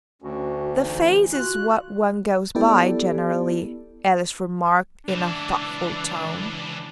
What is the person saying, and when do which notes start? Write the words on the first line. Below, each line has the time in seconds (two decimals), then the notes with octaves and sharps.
'The face is what one goes by, generally,' Alice remarked in a thoughtful tone.
0.22 D2 C#4 F#4
0.78 F2 E3 D#4
1.33 F4 F#4 F#6
2.55 B3 E4 G4 A4 D5
5.09 C#2 E3 D4